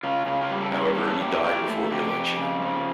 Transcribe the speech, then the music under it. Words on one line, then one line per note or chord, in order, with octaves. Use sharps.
However, he died before the election.
C#3 F4
C#3 F4
F4
G3 G4
A4
C#4 A#4
A#4
E2 A4
E2 G4
E3 G4
A3
F2 G4
F2
C#3
F3